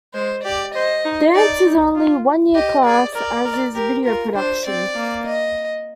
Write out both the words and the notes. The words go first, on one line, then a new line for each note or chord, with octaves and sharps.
Dance is only a one-year class, as is Video Production.
G#3 C5
G4 D5
C5 D#5
D#4
D#4 D5
D#4
F4
G4 D#5
G#4 D5
A#4 D5
A#4
G4 A#4
F4 A#4
D4 C5
C4 D5
A#3
D#5